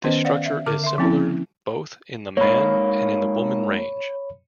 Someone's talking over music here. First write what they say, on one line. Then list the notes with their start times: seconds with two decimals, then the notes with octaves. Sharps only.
This structure is similar both in the man and in the woman range.
0.04 D#3 B3 C#4 C5 D#5
0.25 D5 F5 F#5
0.46 E5
0.66 D3 A#4 D6
0.84 E5 C6
0.98 F3 A#3 C4 C#4 E4
2.37 G#2 A#3 C#5 B5